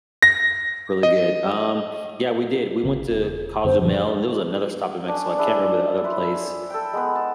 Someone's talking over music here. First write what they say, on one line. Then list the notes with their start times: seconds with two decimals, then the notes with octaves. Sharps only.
really good. Um, yeah, we did. We went to Cozumel, and there was another stop in Mexico, I can't remember the other place.
0.23 A#6
1.03 D#5
2.84 G#1 C#3 B3
3.10 E1
3.64 F#2 D3 B3 C5
3.81 F#2 A#2 D3 F3
5.08 C#4 D4
5.38 D4 E4 G#4 A5
6.04 E4 B4 C6
6.70 A4 G5
6.93 G#3 B3 B4
7.15 A5